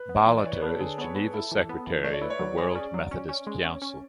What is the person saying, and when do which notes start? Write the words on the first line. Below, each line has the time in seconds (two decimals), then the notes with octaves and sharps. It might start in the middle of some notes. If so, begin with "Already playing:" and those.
Bolleter is Geneva secretary of the World Methodist Council.
Already playing: B4
0.09 B3
0.15 C#5
0.27 E3
0.38 D5
0.44 E3 C#5
0.54 B4
0.62 B3 A4
0.79 D3 G#4
0.85 A4
0.98 B3 C#5
1.09 B4
1.15 B3
1.33 E4 A4
1.52 E3
1.69 B3
1.86 E3
2.04 A3 D5
2.13 C#5
2.21 E4 B4
2.30 C#5
2.39 F#3
2.58 G#4
2.75 C#4 D5
2.94 F#3
3.11 C#4
3.29 C#4
3.47 G#3
3.64 C#4
3.82 C#4